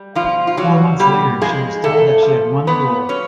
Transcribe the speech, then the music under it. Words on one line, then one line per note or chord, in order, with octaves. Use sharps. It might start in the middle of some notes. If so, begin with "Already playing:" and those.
Four months later, she was told that she had won the role.
Already playing: G3
B2 F3 F4
F4
F#3 G3 F#4
B2 G3 G4
F3 G#3 G#4
A#2 A3 A4
F3
A#2 B3 B4
F#3 C#4 C#5